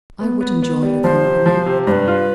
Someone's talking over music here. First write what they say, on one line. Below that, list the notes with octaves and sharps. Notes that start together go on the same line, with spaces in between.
"I would enjoy your company."
B3
B3
B3
G3
F3 C5
C3
F3
C3
G2 B4 C5
F4